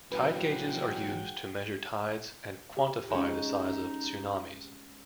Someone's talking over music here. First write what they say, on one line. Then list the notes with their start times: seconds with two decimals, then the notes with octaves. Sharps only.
Tide gauges are used to measure tides and quantify the size of tsunamis.
0.12 A#2 E3 F#3 G#4 B4 F#5 G5
2.77 G4
3.10 G#3 C#4 D#4